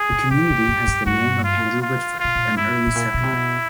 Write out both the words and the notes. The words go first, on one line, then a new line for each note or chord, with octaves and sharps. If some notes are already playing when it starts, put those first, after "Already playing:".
The community has the name of Andrew Whitford, an early settler.
Already playing: G#4
A2
B2 G4
A2
G2
G#2
G2 F#4
F4
F4
B2 F4
A#2
A2
G#2 E4
A2
A#2
B2
C3
B2